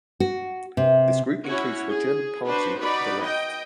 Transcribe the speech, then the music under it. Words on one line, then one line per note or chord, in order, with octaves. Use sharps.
This group includes the German party The Left.
F#4
C3
C#4 E4 F#4 C#5
G#4
D4 F#4 B4 C5
D#4 F#4 B4 D5 B5
D#5 G5